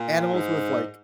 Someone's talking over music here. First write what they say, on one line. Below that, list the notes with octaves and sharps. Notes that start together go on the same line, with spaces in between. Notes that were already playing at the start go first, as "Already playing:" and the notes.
animals with, like
Already playing: A#2
G#2